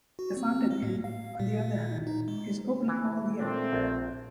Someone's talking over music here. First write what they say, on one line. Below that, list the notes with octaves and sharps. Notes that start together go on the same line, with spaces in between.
The Fountain Inn, on the other hand, is open all year.
F#4
C4
G#3
A2
F5
A#2
D#4
G#3
E3
A#2 A3 C4 D4
A#1